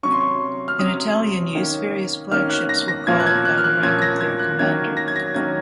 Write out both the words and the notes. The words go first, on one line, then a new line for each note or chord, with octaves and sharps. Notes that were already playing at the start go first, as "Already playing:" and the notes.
In Italian use, various flagships were called by the rank of their commander.
C3 F#3 C#4 C#6
C6
C#6
F6
C3 F#3 C#4 D#6
D#3 A#3 C#4
D#3 A#3 C#4 F6
F#6
A#6
A#6
A#2 F3 A#3 C#4 G#6
F#6
G#6
F#6
F6
F#6
A#2 F3 A#3 C#4 G#6
A#6
G#6
F#6
D#3 F#3 A#3 C#4 G#6
A#6
G#6
A#6
D#3 F#3 A#3 C#4 G#6